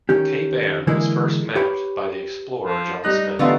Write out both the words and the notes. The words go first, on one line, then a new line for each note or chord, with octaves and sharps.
Cape Ann was first mapped by the explorer John Smith.
D#3 C#4 G4
D3 E3 G#3 A#3 E4 G#4
G4 B4 C#5 G5 B5
F3
G3 D#4 F#6 A#6
D3 E3 G3 A3 B3 D#4 F4